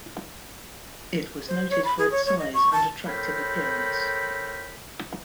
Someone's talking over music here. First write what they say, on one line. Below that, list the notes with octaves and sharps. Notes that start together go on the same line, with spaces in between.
It was noted for its size and attractive appearance.
C5
C#5
B5
G#4
C#5
C#5
D#5
C#6
A5
A4 A#4 C5 C#5 G5 B5